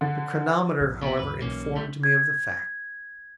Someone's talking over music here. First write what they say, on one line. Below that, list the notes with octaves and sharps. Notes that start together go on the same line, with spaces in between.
The chronometer, however, informed me of the fact.
D3
A#1 E2 A#2
B2 B3 E4
D2 G2 D#3 B4
B1 B2 E3 A#3 C#4
G3 A3
G#6